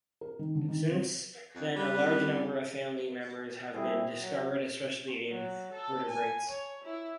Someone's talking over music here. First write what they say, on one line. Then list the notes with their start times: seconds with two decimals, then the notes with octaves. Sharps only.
Since then a large number of family members have been discovered, especially in vertebrates.
0.21 A#4
0.39 D#3
0.55 D3
0.69 D#3
0.88 C3
1.55 F2
1.76 G3 B4
2.01 C4 C#4 E4
3.74 G3 A3 C4 E4 G#4
4.20 F#3
5.31 F#3
5.72 A4
6.08 G#5
6.49 C#5
6.84 E4